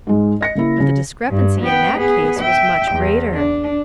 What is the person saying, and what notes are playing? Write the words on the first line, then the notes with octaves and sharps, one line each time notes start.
But the discrepancy in that case was much greater.
G#2 G#3
D#5 A#6 C#7
C#3 A#3 E4
C#3
G2
B3 G5
B3 G#4
E5 G5
E2
D4